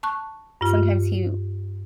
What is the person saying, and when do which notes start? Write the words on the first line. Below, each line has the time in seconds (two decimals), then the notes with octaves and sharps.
sometimes he
0.03 A5 C#6 F#6
0.61 G2 F4